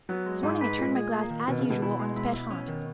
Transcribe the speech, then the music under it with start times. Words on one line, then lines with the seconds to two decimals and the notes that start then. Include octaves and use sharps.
This morning I turned my glass, as usual, on his pet haunt.
0.09 F#3 B3
0.26 G#3
0.43 G#2 D#4
0.61 B4
0.78 A#2 G#3
0.95 G#4
1.13 A#3
1.30 D#3
1.48 B2 D#3
1.59 C#3
1.65 D#3
1.70 B2
1.82 B2 E4
1.99 G#3
2.16 E4
2.34 E4
2.51 C#4
2.68 D#3